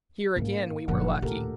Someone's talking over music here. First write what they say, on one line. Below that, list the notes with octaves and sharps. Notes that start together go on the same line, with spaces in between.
Here, again, we were lucky.
G#2 A#3 C#4
F#1 A#2 F3 D4 F#5
D#2 A2 G4 A4 A#4